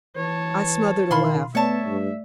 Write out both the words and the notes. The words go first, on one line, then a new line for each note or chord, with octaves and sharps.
I smothered a laugh.
E3 B4 C#5 A5
B2 D#3 F4 B5 C6
A3 B3 C#5 D5 E5 A5
G2